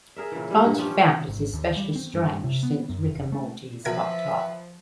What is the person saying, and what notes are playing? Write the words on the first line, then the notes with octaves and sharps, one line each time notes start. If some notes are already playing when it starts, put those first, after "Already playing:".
Plante found it especially strange since "Rick and Morty" is "fucked up".
G#4 A#4 E5
A#2 C#3 E3
G3 E4 G#4
G2 A#2 F#5
F3 B3 C#4 G4
C#4
G#1
D#2
G3
C4
G2
C3
B3
F#2
F1
A3
B2 F3 A#4 B4 E5 G#6